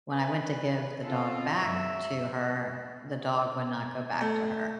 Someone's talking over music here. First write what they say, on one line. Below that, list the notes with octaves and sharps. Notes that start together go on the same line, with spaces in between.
when I went to give the dog back to her, the dog would not go back to her.
B4
C4 F4 A4
F#2 F#3 G#3 E5
A3